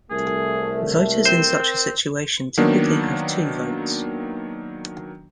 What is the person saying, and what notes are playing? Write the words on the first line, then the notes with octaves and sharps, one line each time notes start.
Voters in such a situation typically have two votes.
C2 A3 G#4 A#4
C4 C5
D#3 F#3 A#3 B3 D4